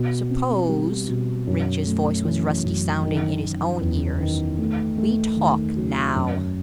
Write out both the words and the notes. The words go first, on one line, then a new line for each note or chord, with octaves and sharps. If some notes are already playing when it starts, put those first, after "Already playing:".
"Suppose," Rynch's voice was rusty sounding in his own ears, "we talk now."
Already playing: B2
C4
G3
B2
F#2
A3
E3
F#2
D#3
D#3
E2
D#3
A3
A3
D#3
F#3
F#2